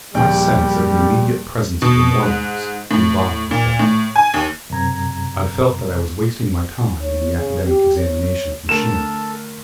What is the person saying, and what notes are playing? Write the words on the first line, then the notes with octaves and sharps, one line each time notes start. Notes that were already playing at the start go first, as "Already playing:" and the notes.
My sense of the immediate presence of the Morlocks revived at that. I felt that I was wasting my time in the academic examination of machinery.
A#1 D#2 G3 G5
B2
G#2
A2
A#2
A2
G#5
D#2
F#2 C3 A#5 G#6
C#5
C#3
G4
C#5
D3 A3 A4 A#4 E7